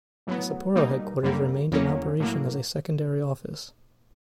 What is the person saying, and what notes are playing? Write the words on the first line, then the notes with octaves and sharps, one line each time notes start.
The Sapporo headquarters remained in operation as a secondary office.
A2 F#3 B3
B2 G3 A#3 D#4
F#2 D3 G3 A#3
E2 C#3 F#3 A#3 C#4
A2 F#3 A#3